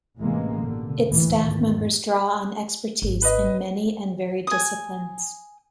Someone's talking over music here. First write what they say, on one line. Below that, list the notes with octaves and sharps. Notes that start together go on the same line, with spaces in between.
Its staff members draw on expertise in many and varied disciplines.
A1 C3 E3 G#3 A#3
A1 G2 B2 D3
D2 A#2 E3
G#1 E2 D#3
G#1
B4 D#5
G#5 D#6